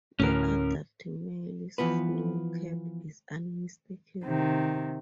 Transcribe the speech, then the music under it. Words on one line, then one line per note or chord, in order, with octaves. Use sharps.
The adult male snowcap is unmistakable.
D2 A2 C#4 A#4
E3 F3 B3 B4
C3 D#3